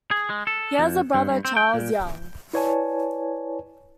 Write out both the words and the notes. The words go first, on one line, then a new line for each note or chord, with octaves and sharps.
He has a brother Charles Young.
G#4
G#3
A4
F2
G2
G2
C4
G5
A#2
E4 B4 C#5 D5 G#5 A5